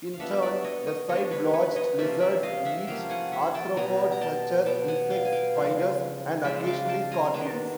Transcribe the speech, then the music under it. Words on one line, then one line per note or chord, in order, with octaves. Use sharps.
In turn, the side-blotched lizards eat arthropods, such as insects, spiders, and occasionally scorpions.
F5
G3 B3 D4 E5 F#5
D5 E5
C#5 D#5
C#5 D#5
G3 B3 D4 C#5 D#5
B4 C#5
B4 C#5
C#5 D#5
C3 F3 A#3 C#4 D5 E5
D5 E5
D#5 F5
E5 F#5
C3 F3 A#3 C#4 F5 G5
F#5 G#5
E5 F#5
G5 A5
B2 G3 B3 G#5 A#5
A#5
G5 A5
B2 G3 B3 G5 A5
F#5 G#5
F5 G5
G#5
F5 G5
C#3 F3 G#3
C#3 F3 G#3 D5 E5
F5 G5
G5 A5
G#5 A#5
G#5
D#3 G3 B3 D4 G5 A5